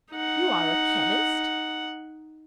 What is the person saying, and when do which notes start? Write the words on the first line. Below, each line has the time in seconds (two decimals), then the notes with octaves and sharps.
"You are a chemist?"
0.12 D#4 F#5